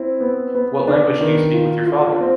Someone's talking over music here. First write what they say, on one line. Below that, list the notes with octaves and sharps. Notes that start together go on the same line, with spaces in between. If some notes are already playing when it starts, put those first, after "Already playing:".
What language do you speak with your father?
Already playing: C4 E4
B3
B3
D4
D#3
F4
F4
C4